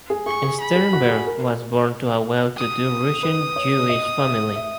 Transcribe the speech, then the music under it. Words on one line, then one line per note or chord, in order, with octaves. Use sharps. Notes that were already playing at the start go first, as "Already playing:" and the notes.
Sternberg was born to a well-to-do Russian-Jewish family.
G#4
G#4 C#6
G#4
B5
G#4
F#4
G#4
A#4
D#6
B4
C#5
D#5
E5
E5